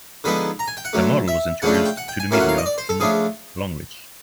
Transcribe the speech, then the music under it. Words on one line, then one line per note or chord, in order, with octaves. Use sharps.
The model was introduced to the media in Longreach.
D3 F3 G#3 B3 D#4 B5
A#5
G#5
G5
F#5
D3 F#3 A3
E5
C#3 F3 A3 D4 F4 F#5
G5
G5
F#5
G5
G#5
A2 F#3 A#3 C#4 F4 G#5
F#5
F5
D#5
D5
C5
A4
C#3 F3 A3 D4 G#4